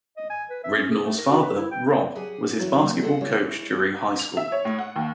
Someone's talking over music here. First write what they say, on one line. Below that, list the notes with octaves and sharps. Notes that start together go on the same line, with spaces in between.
Ridnour's father, Rob, was his basketball coach during high school.
D#5
G#5
B4
E5
C#4
G#4
A3
A#4
F#4
B4
E4
G5
F#3 G4 G#4 F#5 G#5
E3 F#3 E4 F#4 C#5 E5
F#3 G#3 A#3 C4
G#3 G#4 A4 D#5 F#5
G#3 E4 G4 C#5
F7
E5
C#5
A2
F#5
D#2